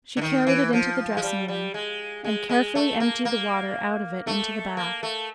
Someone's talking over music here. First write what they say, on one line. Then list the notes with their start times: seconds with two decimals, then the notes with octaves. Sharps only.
She carried it into the dressing-room, and carefully emptied the water out of it into the bath.
0.17 D3
0.21 D#3
0.47 E3
0.73 F3
1.17 G#3
1.22 G3
1.48 G3
1.74 G#3
2.24 G#3
2.49 G#3
2.75 A3
3.00 A#3
3.25 A#3
4.27 A3
4.77 A#3
5.03 A3